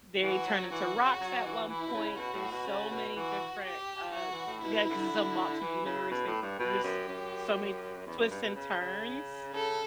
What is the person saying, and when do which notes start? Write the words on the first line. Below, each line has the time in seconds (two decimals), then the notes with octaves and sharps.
they turn into rocks at one point. There's so many different, uh again, 'cause it's a multi-universe, they they just so many twists and turns
0.22 E3 F#4
0.46 F#3
0.62 F#3
0.71 E3 F#4
0.95 C#3
1.20 F#3
1.45 E3
1.69 E3 E4
1.86 B2
1.94 C#3
2.18 B2 F#4
2.34 A2
2.51 B2
2.66 C#3
2.91 B2
3.16 E3 F#4
3.65 G4
4.13 F#3 F#4
4.31 E3
4.46 A2
4.63 B2 E4
4.88 D3
5.61 E3
5.85 C#3
6.11 B2
6.27 A2
6.42 G2
6.59 B2 G4
6.83 F#2
7.08 F#2
8.06 E2
8.19 F#2
8.31 G2
8.42 B2
8.55 C#3
8.80 C#3
9.54 C#3 A4